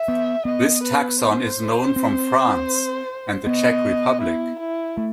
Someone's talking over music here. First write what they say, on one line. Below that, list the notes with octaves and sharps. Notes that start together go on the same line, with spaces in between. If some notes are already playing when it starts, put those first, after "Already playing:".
This taxon is known from France and the Czech Republic.
Already playing: E5
B3
B3 D#5
B4
C5
C4
B3 D#5
E4
E4
A3